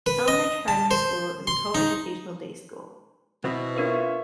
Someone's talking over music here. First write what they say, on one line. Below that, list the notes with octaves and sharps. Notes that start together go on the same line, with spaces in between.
Elmridge Primary School is a co-educational day school.
B4
D#5
A5
C5
C6
D#4
B2 B3 C4 E4
D4 F4 A#4 B4 C#5 E5